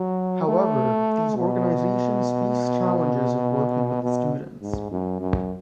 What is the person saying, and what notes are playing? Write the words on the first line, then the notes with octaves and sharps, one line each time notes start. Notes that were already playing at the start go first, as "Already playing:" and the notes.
However, these organizations face challenges in working with the students.
Already playing: F#3
A3
B2
B2
G#2
F#2
F#2